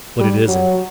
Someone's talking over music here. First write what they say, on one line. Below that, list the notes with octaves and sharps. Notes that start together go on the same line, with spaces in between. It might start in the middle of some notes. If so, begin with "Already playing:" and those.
But it isn't.
G3
F#3